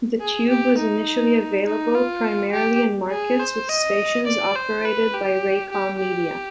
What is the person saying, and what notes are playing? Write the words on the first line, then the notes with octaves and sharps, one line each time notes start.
The Tube was initially available primarily in markets with stations operated by Raycom Media.
G#4
G4
D#4
D#4
F4
G4
G#4
C5
D#5
D5
C5
B4
G4
G4
G4